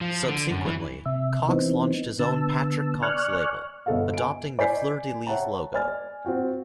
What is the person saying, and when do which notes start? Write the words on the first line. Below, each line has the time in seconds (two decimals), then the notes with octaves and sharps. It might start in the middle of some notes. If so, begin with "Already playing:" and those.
Subsequently, Cox launched his own Patrick Cox label, adopting the fleur-de-lys logo.
0.01 F3
0.28 D3
0.51 F#2
0.65 E3
1.06 C3 E5
1.48 E3 B3 C4 D#4
2.19 D3 B3 A5 E6
3.03 D5 G#5 C#6 F6 F#6
3.86 G1 B2 B3 A4 D#5 F5
4.14 G#5 D7
4.59 D5 G#5 G6 B6 C7
5.26 C#5 E5 F#5 G5 A5 A#5
5.74 D5 G#5 F6 A6
6.25 C4 F4 F#4 G5